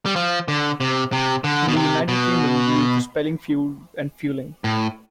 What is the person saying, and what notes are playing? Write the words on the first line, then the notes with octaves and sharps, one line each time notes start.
In the United Kingdom we use the spellings fuelled and fuelling.
G3
F3
D3
C3
C3
D3
B2
C3
B2
A2